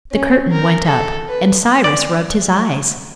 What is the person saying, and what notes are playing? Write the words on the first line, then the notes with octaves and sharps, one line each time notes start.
The curtain went up and Cyrus rubbed his eyes.
C#4
A#4
A4
B4
D5